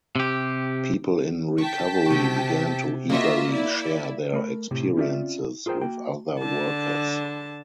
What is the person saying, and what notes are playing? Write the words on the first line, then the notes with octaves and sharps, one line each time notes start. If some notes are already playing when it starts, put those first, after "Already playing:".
People in "recovery" began to eagerly share their experiences with other workers.
C3 G4
G5 A5 C#6 B6
C3 F#4
A#3 F4 F#4 D#5 E5 C#6
E4 D5 E5
A3 A#4 B5
A2 C3
C4 C#4 F4 C5 D5 E5
F4 G#4 A#4 C5 G5
A#3 F#4 G5
D3 A5